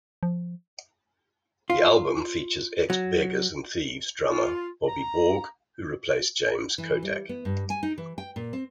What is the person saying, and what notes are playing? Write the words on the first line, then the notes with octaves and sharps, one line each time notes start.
The album features Ex Beggars and Thieves drummer Bobby Borg who replaced James Kottak.
F3
F4
F#3
F4
A#5
E3
G3
B3
G2
G#5
D#4
E3
G5
A#2
C4